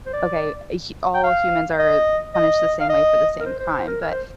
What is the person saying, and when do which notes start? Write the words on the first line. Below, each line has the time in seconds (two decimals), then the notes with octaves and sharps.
"Okay, eh, h all humans are punished the same way for the same crime," but,
0.06 C5
0.13 D5
1.14 G5
1.24 F5
1.79 D#5
2.35 D#5
2.80 F5
2.90 D#5
3.40 A#4
3.46 C5
3.59 C5
3.73 C5
3.87 A#4
4.01 A#4
4.11 C5